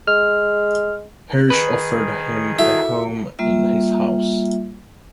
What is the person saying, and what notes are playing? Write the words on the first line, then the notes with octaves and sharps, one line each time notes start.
Hirsch offered him a home in his house.
G#3 F6
D#3 G#4 B4
E4 F#4 A4 E5
G3 A#3 F4 E5